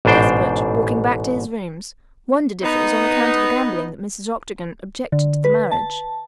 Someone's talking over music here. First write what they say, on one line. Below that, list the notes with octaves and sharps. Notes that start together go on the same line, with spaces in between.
Cuthbert, walking back to his rooms, wondered if it was on account of the gambling that Mrs. Octagon objected to the marriage.
A1 G#2 B2 D4 C5 G5
B3 D#4
D3
B4
A5